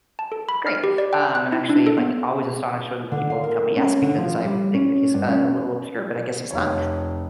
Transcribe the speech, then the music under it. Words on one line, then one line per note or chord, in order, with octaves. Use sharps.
Great. Um, I'm actually, like, always astonished when people tell me yes because I think that he's a little obscure, but I guess he's not,
A5
A4
B5
F6
G4
D5
G5
F#6
E4
D4
A4
B3
D3
F5
A#4
C#4
D3
F3
G3
C#4
G2
C#4
F1 C#5